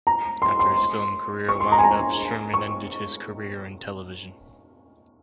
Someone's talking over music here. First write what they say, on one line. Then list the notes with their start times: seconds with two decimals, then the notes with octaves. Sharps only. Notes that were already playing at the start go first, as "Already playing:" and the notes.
After his film career wound up, Sherman ended his career in television.
0.07 A#5
0.42 C6
0.59 C6
1.49 C#6
1.60 C6
1.72 A#5
1.78 G#5
1.84 A#5
2.54 C#6